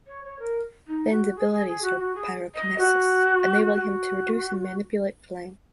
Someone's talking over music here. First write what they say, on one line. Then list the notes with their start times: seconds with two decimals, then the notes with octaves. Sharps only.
Ben's abilities are pyrokinesis, enabling him to produce and manipulate flame.
0.07 C#5
0.24 C#5
0.39 A#4
0.87 D#4
1.11 F#4
1.36 G#4
1.51 G#4
1.67 G#4
1.82 F#4
1.99 F#4
2.15 G#4
2.55 D#5
2.79 F#4
3.74 F#4